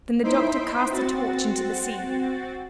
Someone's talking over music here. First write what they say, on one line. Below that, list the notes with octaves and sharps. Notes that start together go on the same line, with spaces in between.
Then the doctor cast the torch into the sea.
D#4 E4 C5 C6 B6 D7
C4 F#4 A6